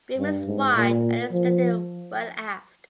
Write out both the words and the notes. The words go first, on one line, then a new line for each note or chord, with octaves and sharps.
Beam is wide and is extended well aft.
G2
G#2
A#2
F3